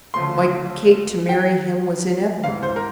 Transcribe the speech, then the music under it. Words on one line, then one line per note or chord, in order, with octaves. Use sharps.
Why, Kate, to marry him was inevitable!
D2 C#3 F3 A3 C6
G5
G#2 E3 G3 F5
C5
A#4